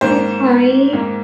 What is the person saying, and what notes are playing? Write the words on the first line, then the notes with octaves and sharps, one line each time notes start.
I'm sorry.
G#2 D#3 A#3 C5
G#2 D#3 A#3